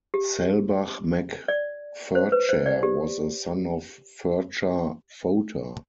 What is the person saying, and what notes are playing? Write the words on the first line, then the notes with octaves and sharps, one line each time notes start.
Selbach mac Ferchair was a son of Ferchar Fota.
G4
D5
C5
B4
C5
D5
G4